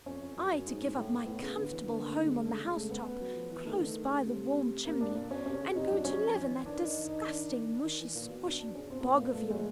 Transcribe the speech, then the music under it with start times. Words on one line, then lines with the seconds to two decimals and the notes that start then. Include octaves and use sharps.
I to give up my comfortable home on the house-top, close by the warm chimney, and go to live in that disgusting mushy-squshy bog of yours!
0.06 F2 C#4
0.21 F2
0.36 F#2
0.51 F#2
0.66 G#2
0.96 A2
1.25 A2 B3
1.41 C#3
1.56 D3
1.71 E3
1.86 D3 A#3
2.06 A3
2.26 G#3
2.45 C#3 A3
2.60 G#3
2.76 A3
2.90 B3
3.21 F#3
3.36 F3
3.51 E3
3.65 D#3 A3
3.79 D3
3.86 D#3
4.05 C#3
4.25 C3
4.85 C3 A#3
5.01 D4
5.15 A#2 D4
5.30 B2 C#4
5.46 C3 C#4
5.60 C#3
5.75 C3 D#4
5.90 F#3 D4
6.05 F#3 C#4
6.17 F#3
6.25 F3
6.36 F3 C#4
6.45 E3
6.65 D#3 D4
6.85 D#4
7.05 D#4
7.25 D4
7.85 D#3
8.00 E3
8.15 A#2
8.29 B2
8.45 B2 D4
8.59 D4
8.75 C#3 C#4
8.90 B2 C4
9.00 A2
9.04 A#2 B3
9.20 A#3
9.34 A3
9.50 G#3